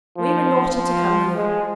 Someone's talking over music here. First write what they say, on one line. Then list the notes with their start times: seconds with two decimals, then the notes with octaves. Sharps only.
We were naughty to come here.
0.17 F3
0.76 F3
1.35 G#3